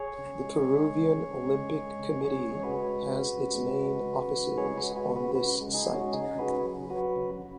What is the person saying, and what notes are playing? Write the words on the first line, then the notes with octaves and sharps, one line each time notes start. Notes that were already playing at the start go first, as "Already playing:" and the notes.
The Peruvian Olympic Committee has its main offices on this site.
Already playing: G#4 C#5
C#3
G#3
G#3
C#3
C#3
G#3
G#3
C#3
C#3 G#4 C#5
G#3 C#5
F#4 B4
G#3
C#3
C#3
G#3
G#3
C#3
C#3
G#3 G#4 C#5
F#4 B4
G#3
F#4 B4
C#3
F#4 B4
C#3 F#4 B4
G#3
D#4 G#4
G#3
C#4 F#4
C#3 D#4 G#4
C#3 F#4 B4
F#3
F#3 F#4 B4
C#3
C#3